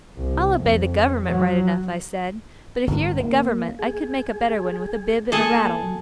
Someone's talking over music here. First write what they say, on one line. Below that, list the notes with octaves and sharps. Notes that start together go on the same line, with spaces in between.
'I'll obey the Government right enough,' I said; 'but if you're the Government I could make a better one with a bib and a rattle.'
C2
F2
F#3
G1
A#3
G#4
A#3 G#4 A4
F#3